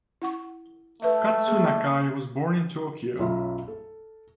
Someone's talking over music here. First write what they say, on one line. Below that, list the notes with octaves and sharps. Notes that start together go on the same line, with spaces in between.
Katsu Nakai was born in Tokyo.
E4 F#5 C#6
A3 B4 E5
A#3 G#4
B1 F#2 F4 E5 B5
A4